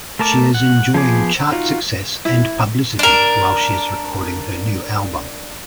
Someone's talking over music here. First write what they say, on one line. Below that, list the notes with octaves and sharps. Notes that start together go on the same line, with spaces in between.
She is enjoying chart success and publicity while she is recording her new album.
A3 A#4 A5 D6
F#5
F3 B3 G#4 D6
D#4 F4 F#4
E4
D4 A#4